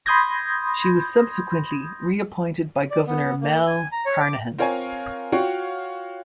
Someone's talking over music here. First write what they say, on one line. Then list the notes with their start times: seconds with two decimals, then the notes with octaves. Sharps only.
She was subsequently re-appointed by Governor Mel Carnahan.
0.06 B5 C6 D#6 G6 G#6 A#6
2.91 D5
3.07 B3
3.42 A#3
3.67 G#5
3.92 A#5
4.06 C#5
4.20 D6
4.58 C4 F4 A#4 C#5 F5 G#5
5.32 F4 F#4 C#5 F5 G5